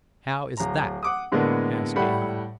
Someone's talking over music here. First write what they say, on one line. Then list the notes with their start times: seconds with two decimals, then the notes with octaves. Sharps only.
"How is that?" asked Gahan.
0.57 D1 A#5
1.03 F#5 D6 D#6
1.32 A2 D3 G#3 A#3 B3 A4
1.96 A2 G3 A3 F#5 B5